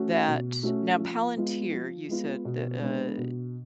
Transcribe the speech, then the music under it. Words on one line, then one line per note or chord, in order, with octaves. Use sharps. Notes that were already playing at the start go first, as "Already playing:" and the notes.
that now, Palantir, you said that, uh
Already playing: A3 C#4 F#4
B2
A3 C#4 F#4
F3
G#3 B3 F4
F3
G#3 B3 F4
B2
G#3 B3 D4
B2